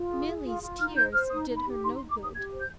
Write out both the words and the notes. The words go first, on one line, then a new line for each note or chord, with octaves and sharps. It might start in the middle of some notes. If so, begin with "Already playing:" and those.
Milly's tears did her no good.
Already playing: F4
G#4
G#4
F4
F4
D#4 F6
C5 G6
C5 F6
D#4 D#6
D#4
B5
G4
D#4 C6
C6
D#4
D6
G4 D#6
G4 G#6
C5
G6